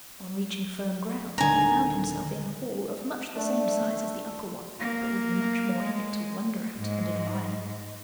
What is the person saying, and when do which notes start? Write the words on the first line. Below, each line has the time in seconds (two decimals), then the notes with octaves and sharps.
On reaching firm ground he found himself in a hall of much the same size as the upper one, but with much more in it to wonder at and admire.
1.38 D#1 D3 D#3 G#5 A#5
3.35 A3 D4
4.79 A#3
5.78 G#3
6.78 G#2 G#3